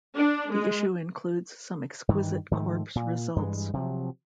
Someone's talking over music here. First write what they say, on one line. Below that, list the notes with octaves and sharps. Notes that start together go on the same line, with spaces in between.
The issue includes some exquisite corpse results.
D4
G#3
G2 D#3 E3
G#2 D#3 F3 A3
A#2
G2 E3 G#3
C3 F3 F#3